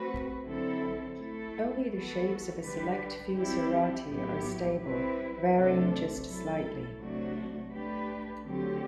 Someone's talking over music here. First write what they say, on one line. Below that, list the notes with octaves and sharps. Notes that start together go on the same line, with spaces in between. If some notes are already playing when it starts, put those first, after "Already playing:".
Only the shapes of a select few sarati are stable, varying just slightly.
Already playing: A3 C4 F#4 B4
D3 F#3 C4 E4 A4
A3 E4 A4
E3 B3 F#4 A4
D3 G3 D4 G4 B4
G3 C4 E4 G4
A2 F#3 B3 E4 G4
G3 C4 E4 B4
C3 F#3 A3 D4 A4
F#3 A3 E4 A4
C3 F#3 A3 D4 F#4
A3 D4 G4 B4
D3 F#3 A3 C4 G4